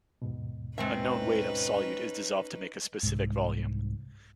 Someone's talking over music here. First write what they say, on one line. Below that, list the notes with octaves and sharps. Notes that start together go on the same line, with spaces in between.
A known weight of solute is dissolved to make a specific volume.
D#2 G#2 B2
G#3 C4 C#4 D#4 B4 E5
C2 G#2